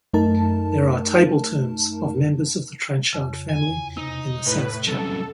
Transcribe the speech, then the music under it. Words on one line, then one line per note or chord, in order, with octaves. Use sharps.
There are table tombs of members of the Trenchard family in the south chapel.
F#2 A3 D#4 A#4 A5
F2 C#3
E2 G#5
C3 D#4
A2 B4
C2 F#2 A4